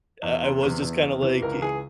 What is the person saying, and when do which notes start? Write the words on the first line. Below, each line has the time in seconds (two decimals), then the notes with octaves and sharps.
I I was just kinda like i
0.23 E2
0.43 C3
0.63 E2
0.82 E2
1.02 E2
1.22 E3
1.42 C#2 A#4
1.61 E3 G#4